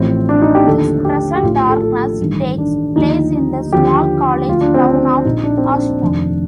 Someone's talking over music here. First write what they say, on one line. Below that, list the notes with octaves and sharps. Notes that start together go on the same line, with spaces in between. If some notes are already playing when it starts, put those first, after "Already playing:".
"This Present Darkness" takes place in the small college town of Ashton.
Already playing: A1 A2 F3 C4
D4
D#4
G4
D#2 D3 F3 A4
G4
G4
A#1 A2 F3 F4
F4
A4
A4
A1 G2 D#3
D4
D#2 D3 F3 D#4
D#2 D3 F3 G4
D2 D3 F3 F4
D4
C4
D4
A#1 A#2 F3 D#4
D4
C4
D4
F1 F2 D#3